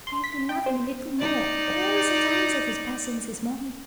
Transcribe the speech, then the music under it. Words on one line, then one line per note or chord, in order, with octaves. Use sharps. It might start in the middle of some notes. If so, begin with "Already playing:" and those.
"I have been loving a little more all the time that has passed since this morning."
C6
B6
G5
C5
D#4 D5